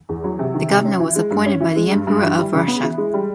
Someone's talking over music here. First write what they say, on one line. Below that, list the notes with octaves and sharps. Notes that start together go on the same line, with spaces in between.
The Governor was appointed by the Emperor of Russia.
E2
F#3
C3
D#3
C3
C#4
E3
G#3
G2
C#4
E3
G#3
G2
G2
E3
G3
C#3
B3
E3
G#3
G3